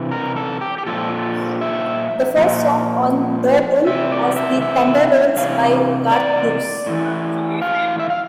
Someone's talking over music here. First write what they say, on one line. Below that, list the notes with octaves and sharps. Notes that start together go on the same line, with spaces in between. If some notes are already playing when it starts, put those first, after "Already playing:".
The first song on "The Bull" was "The Thunder Rolls" by Garth Brooks.
Already playing: C3 E3
A#4
A4
G4
G4
A#2 F3 A4
E5
A#2 F3
C3 E3 E5
D5
E5
E5
C3 E3 F5
D5
A2 E3
F5
E5
F5